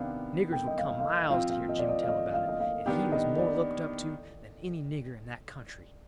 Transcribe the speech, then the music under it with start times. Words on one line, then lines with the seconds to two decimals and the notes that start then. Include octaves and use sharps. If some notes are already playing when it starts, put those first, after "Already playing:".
Niggers would come miles to hear Jim tell about it, and he was more looked up to than any nigger in that country.
Already playing: C3 D#3 B3 D4 F5
0.52 G5
0.67 D#5
0.78 F5
1.00 F5
1.04 D#5
1.30 F3 C4 F4 F5
1.50 F5
1.69 D#5
1.79 D5
1.89 D#5
2.03 F5
2.08 D#5
2.34 F5
2.48 D#5
2.60 F5
2.86 D#3 B3 D4 G4 G5
3.12 D#5
3.38 D5